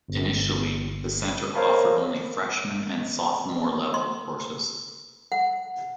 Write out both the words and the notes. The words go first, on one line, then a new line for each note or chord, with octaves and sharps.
Initially, the Center offered only freshman and sophomore-level courses.
G1
A#4 C5 C#5 F5 A5 B5
C6
F#5